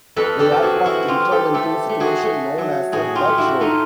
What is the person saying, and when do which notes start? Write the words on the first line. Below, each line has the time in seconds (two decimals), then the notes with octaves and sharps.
The aircraft entered into a situation known as a Dutch Roll.
0.16 F2 A4 B4
0.39 G4 A4
0.52 F3
0.62 F#4 G#4
0.84 F3 E4 F#4
1.08 F4 G4
1.20 F3
1.31 G4 A4
1.54 A3 G4 A4
1.89 A3
2.00 F#4 G#4
2.23 A3
2.58 F#3
2.92 A2 F#4 G#4
3.15 F4 G4
3.27 A3
3.38 E4 F#4
3.60 A3 D#4 F4